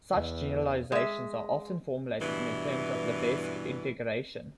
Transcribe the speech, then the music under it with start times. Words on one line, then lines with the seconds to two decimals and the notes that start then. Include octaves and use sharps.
Such generalizations are often formulated in terms of Lebesgue integration.
0.12 E2
0.92 G#3 E5
2.21 G2 B2 E3